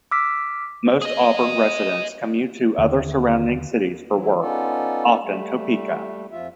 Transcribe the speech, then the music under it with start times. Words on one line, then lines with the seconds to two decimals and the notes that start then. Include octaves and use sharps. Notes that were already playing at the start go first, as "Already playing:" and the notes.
Most Auburn residents commute to other surrounding cities for work, often Topeka.
0.11 D6 E6 F6 B6
1.02 G#4 D#5
2.78 D#2 D3
4.12 E3 F#3
4.41 B3 C#4 D#4 F4 A4 D5
5.21 G3 A3
6.31 F2 F3 F4 E5